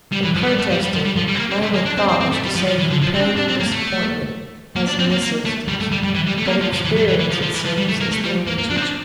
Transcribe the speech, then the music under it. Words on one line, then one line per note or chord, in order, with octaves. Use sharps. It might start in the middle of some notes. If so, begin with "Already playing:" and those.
In protesting, my only thought was to save you pain and disappointment--as in this instance--but experience, it seems, is the only teacher.
G3
E3
F3
A3
G3
A3
G3
G3
F3
G3
F3
G3
C4
A#3
C4
A3
A#3
D4
C4
C4
C4
A3
G3
F3
F3
E3
D3
F3
C4
D4
C4
D4
C4
A#3
A3
A#3
D4
C4
A#3
A#3
A3
G3
A3
G3
G3
E3
G3
A3
C4
A#3
F3
F3
E3
G3
E3
E3
F3
F3
E3
F3
G3
A3
A#3
A3
G3
A#3
A#3
D4
C4
D4